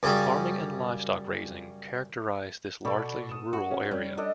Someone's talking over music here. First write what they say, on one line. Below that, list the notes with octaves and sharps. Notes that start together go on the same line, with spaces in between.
Farming and livestock-raising characterize this largely rural area.
F#2 C#3 G3
B2 A4 D5 B5 C#6
D#6 E7
F#4
C#4
G3 C#4
D4 A4 D#5